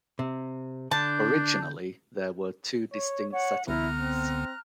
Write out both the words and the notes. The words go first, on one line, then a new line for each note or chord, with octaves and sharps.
Originally, there were two distinct settlements.
C3
D3 D4 A5 G6
C#5
C#5 F#5
C#2 D3 B3 E4 A#5 F6 F#6
C4